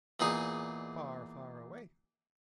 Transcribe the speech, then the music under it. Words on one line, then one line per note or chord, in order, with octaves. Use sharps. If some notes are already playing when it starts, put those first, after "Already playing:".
"Far, far away!"
E2 A#2 D#4 G#4